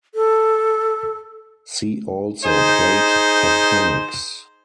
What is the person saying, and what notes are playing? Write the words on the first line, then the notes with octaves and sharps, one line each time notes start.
See also Plate tectonics.
A4
D#4 G#4 C5